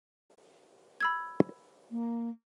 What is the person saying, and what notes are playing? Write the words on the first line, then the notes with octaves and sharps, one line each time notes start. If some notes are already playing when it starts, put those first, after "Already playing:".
The custom is in general the same but there are some significant variations.
B5 E6 G#6
A#3